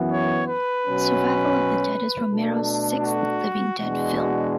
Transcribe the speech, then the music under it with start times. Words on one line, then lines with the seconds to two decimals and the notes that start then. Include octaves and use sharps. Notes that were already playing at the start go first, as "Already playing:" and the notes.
"Survival of the Dead" is Romero's sixth "Living Dead" film.
Already playing: F#2 E3 B3
0.12 C#5
0.48 B4
0.86 B2 F#3 C#4
2.32 B2 A3 D4 A4
3.04 F#4
3.79 E2 B2 G#3 D4 F#4